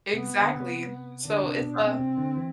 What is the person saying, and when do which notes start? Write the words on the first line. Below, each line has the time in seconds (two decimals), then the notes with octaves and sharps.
Exactly. So it's a
0.14 C3 B3
0.41 D3
0.55 C3
1.25 D3 D4
1.44 C3
1.61 B2
1.80 B2 C4
1.99 C3
2.17 D3
2.37 E3